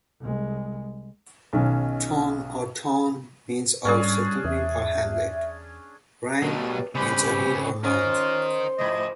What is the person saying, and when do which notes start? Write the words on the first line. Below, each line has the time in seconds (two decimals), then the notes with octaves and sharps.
"Tun" or "ton" means a settlement or hamlet, "rhyn" means a hill or mount.
0.20 C2 G#3
1.53 B1 D#3 C#4
3.85 G#2 G3 C#4 D4 G#4
4.44 E2 E5
6.42 G2 B2 F#3 A3 A#4
6.95 C#3 G3 B3 C4 G4 B4
7.84 C#4 F4 A#4 C5 D#5
8.79 G#2 F3 A3 D#5